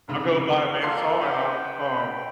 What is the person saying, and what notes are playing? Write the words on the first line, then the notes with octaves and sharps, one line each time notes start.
I'll go buy a band saw and I w um
F1 G#2 C#3
A#3 F4 A4 C6 C7
B4 E5 F#5 G5